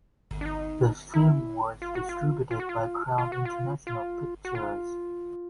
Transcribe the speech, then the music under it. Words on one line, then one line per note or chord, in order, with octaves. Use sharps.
The film was distributed by Crown International Pictures.
D4
D#4
E4
F4
F#4
F4
F4
F#4
F4
F4
F#4
F4
F4
F#4
F4